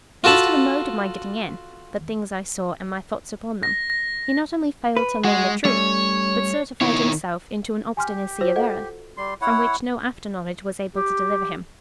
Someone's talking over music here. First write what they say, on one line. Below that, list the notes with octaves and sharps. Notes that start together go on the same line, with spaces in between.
But as to the mode of my getting in, the things I saw, and my thoughts upon them, he not only failed to learn the truth, but certified himself into an obstinacy of error, from which no after-knowledge was able to deliver him.
F4 F#4 A4 A5 B5
A#6
A#6
B4
G#3 F#4
G3 A3 C#4 C#5
B2 D#3 E4 C#5
G4 G#5 C6 F6
F4 F#4 C5
A4 D#5 F#5
G3 C6
E4 C#5 F#5
G4